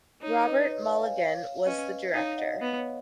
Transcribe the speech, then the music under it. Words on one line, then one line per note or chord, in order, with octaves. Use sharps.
Robert Mulligan was the director.
D#4 C#5
B4 D#5
C#5
C#5 F5
F5 G#5
C#5 F5
C#4 B4 D#5
D#4 C#5 F5
D#5 F#5
B3
C#5